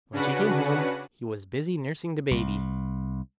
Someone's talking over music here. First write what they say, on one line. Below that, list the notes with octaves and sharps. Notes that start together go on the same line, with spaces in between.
When she came home, he was busy nursing the baby.
C#3 C#4 D4 F#4 B4 F#5
C2